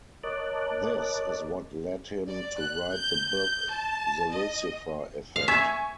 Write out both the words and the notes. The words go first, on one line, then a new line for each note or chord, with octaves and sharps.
This is what led him to write the book "The Lucifer Effect".
A#4 C#5 D#5 A5 D6 F#6
D5
F#6
G6
G6
A5
D#5
F5
E5 G#5 C#6 G#6